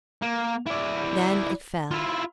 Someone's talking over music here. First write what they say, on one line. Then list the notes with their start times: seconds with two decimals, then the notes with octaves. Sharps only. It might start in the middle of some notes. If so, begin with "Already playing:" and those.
Then it fell.
0.22 A#3
0.66 E4 D5
1.91 E4 F4